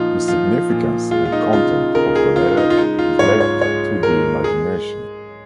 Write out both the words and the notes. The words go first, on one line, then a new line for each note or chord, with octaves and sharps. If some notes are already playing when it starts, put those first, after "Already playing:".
The significance and content of the letter is left to the imagination.
Already playing: A#2 F3 D#4 F4
F3 F4
A#2
G#3 F4
F4
D#4
C#3 F4
C#3 A#4
G#4
C#3 F4
D#4
F4
G#3 D#4
F4
G#2 C#5
C#5
G#3 C#5
G#3 A#4
G#3 G#4